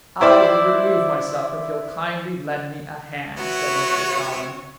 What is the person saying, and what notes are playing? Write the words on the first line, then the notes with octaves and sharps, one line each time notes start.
"I will remove myself if you'll kindly lend me a hand," said Mr. Salvin.
E4 C5 D5
B3 E4 F#4 C#5